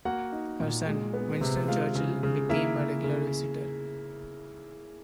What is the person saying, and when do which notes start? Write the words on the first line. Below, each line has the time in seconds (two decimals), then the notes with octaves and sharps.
Her son, Winston Churchill, became a regular visitor.
0.05 A#3 F#4 F#5
0.32 D#4
0.60 A#2
0.87 G#3
1.14 B3
1.41 C3
1.68 G#3 F4 F5
1.95 C#3
2.23 C#3
2.49 A#3 E4 E5
2.77 C#3
3.04 C#3